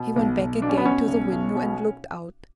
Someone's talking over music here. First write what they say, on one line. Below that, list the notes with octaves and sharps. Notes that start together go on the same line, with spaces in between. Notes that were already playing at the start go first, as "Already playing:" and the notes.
He went back again to the window and looked out.
Already playing: B2
B1
B1
B2 D4
C#4
B3
B2 C#4
B1
B1
B2